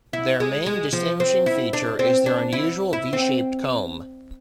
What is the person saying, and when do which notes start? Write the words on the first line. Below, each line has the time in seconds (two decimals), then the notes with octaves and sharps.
Their main distinguishing feature is their unusual V-shaped comb.
0.13 E4
0.40 G#3
0.66 G#3
0.93 F3
1.20 C4
1.46 E4
1.73 D4
1.99 C4
2.26 D4
2.52 E4
2.93 E4
3.13 C4